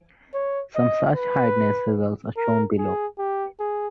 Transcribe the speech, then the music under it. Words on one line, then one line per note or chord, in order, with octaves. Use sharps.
Some such hardness results are shown below.
C#5
D#5
B4
A#4
G#4
G4
G#4